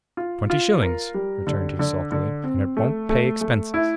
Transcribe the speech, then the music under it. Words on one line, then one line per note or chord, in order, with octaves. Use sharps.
"Twenty shillings," returned he, sulkily, "and it won't pay expenses."
F4
F4
A#4
G3
D3
D3
D3
C4
A3
A3
A3
E4